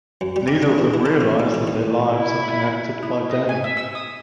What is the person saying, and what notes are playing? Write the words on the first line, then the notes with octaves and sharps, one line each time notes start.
Neither of them realize that their lives are connected by Danny.
F#2
G3
G4
D4
E3
E3
A4
F3
D#3
G#3
D#2
E4
E4
D#5
G#5
E5
E6
D#6